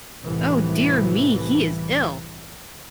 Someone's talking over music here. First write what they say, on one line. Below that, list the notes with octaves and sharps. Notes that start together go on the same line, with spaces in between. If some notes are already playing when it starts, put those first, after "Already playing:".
Oh, dear me, he is ill!
C2 A2 E3